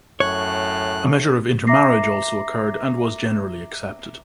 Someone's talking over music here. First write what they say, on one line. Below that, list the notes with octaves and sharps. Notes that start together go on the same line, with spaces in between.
A measure of intermarriage also occurred and was generally accepted.
F#2 A2 C#5 F#6
E5 A#5 D6 A#6 C7